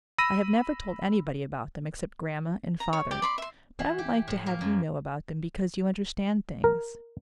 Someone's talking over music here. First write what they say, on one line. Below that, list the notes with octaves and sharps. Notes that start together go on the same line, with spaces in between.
I have never told anybody about them except grandma and father but I would like to have you know about them because you understand things.
B5 E6 A#6 D#7
A#5
C#5
G4 D5 D6
D5 B5 C6
E5 C6
E3
G4
A2
A#3
F#2
A#4